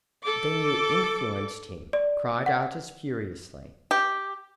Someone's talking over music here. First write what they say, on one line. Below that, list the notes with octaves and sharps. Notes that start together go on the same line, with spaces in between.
"Then you influenced him," cried Artis furiously.
A4 D6
D5
F#5
G4